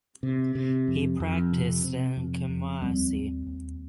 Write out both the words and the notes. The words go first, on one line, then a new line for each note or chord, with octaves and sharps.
He practised in Kumasi.
C3
C3
F2
F2
C3
C3
F2
F2
D#2 G3 C4
D#2
D#2